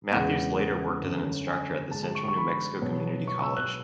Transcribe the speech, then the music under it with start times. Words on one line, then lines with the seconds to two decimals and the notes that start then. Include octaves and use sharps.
Matthews later worked as an instructor at the Central New Mexico Community College.
0.11 E2 C#3 G#3 B3 F#5
1.01 F#2 D3 A3 C#4
1.47 G#5
1.91 D3 G#3 D4 A5
2.03 A5
2.15 C#6
2.28 C#6
2.37 B5
2.82 B2 F#3 B3
3.27 C#6
3.42 E6
3.57 F#6